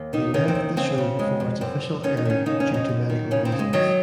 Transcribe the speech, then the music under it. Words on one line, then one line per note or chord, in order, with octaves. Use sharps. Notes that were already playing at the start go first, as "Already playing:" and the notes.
He left the show before its official airing due to medical reasons.
Already playing: D#2
D#3 D#4
D#3 C#4
C4
D#2
C#3 C4
C#3
F2 G#3
F2
F#2 C4
F#2
D#3 C#4
D#4
D#3 C#4
C#3 D#4
C#4
F2
D#4
F#2
D#3
C#3 C#4
C4
C#3
G#3
D#3 F#3